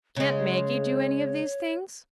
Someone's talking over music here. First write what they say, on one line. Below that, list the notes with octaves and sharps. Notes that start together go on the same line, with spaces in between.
"Can't Maggie do any of these things?"
C#3 G#3 C#5